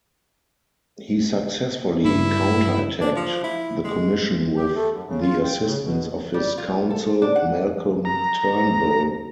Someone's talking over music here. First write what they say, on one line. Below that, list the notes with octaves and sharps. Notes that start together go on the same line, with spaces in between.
He successfully counter-attacked the Commission with the assistance of his counsel Malcolm Turnbull.
G2 E4
D4
F3
E4
G#3
G4
A3
F#2
C#3
F4
G5
C#3
B2
G3
F4
A4
D4
F#5
A#5